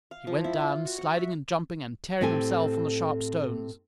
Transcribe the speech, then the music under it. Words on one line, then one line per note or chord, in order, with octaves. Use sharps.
He went down, sliding and jumping and tearing himself on the sharp stones.
F5
F3
E4
F4
F#4
F#5
E5
A2 C4 G4 A4 G#5